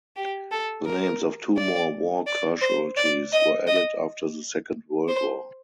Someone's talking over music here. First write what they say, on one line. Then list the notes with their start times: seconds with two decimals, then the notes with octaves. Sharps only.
The names of two more war casualties were added after the Second World War.
0.16 G4
0.51 A4
0.86 A#4
1.57 D5
2.27 D5
2.61 C5
2.97 D5
3.32 D#5
3.67 D#5
5.08 C5